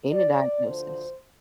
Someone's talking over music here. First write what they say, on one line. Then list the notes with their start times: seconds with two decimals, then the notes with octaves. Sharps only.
Any diagnosis.
0.12 D5
0.65 D2 D3 F3 C5